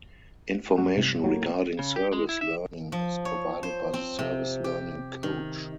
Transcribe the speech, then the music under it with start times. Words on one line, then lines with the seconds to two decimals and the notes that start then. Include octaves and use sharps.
Information regarding service learning is provided by the Service Learning Coach.
0.78 G2 F#4
0.97 C3
1.24 A2 F#3 A3 A#3
1.79 C#3
1.96 G4
2.13 G#3
2.29 E4
2.41 E5
2.92 F3
3.25 C#5
3.63 C5
3.94 C4
4.19 C3
4.64 G4
5.23 D#3